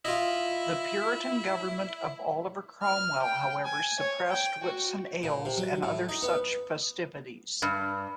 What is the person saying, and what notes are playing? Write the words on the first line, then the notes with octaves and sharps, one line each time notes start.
The Puritan government of Oliver Cromwell, however, suppressed Whitsun Ales and other such festivities.
E4 F4 D#5
F6
G5
G#5
C#5
G5
F#4
A#2
C3
F#3
A2
D#4
B3
G2